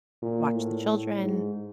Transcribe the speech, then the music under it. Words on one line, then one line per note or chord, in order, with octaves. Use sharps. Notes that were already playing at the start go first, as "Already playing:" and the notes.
to watch the children
A#2
A2
G#2